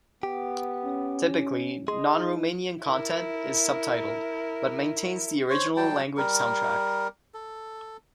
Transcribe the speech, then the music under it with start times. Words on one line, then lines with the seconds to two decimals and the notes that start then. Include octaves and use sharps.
Typically, non-Romanian content is subtitled, but maintains the original language soundtrack.
0.23 B3 G4
0.85 C#4
1.88 G#4 D#5 C6
2.18 D#4
2.83 E4 A#4
5.50 C5 C#5
5.77 F#3 G3 G5 A5
6.17 G3 A#4
7.34 A4